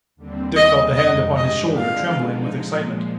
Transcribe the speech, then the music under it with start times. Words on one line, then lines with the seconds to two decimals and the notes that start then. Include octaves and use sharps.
Dick felt the hand upon his shoulder trembling with excitement.
0.16 D#2 D3 G3 C4
0.56 D#2 D#3 G3 C4 D#5
0.96 F2 D#3 G#3 D#4 D#5
1.36 G2 D#3 G#3 D4 G4 D#5
1.76 D3 G#3 C4 F4 F5
2.17 D3 F3 G#3 D#4
2.57 A#2 F3 G#3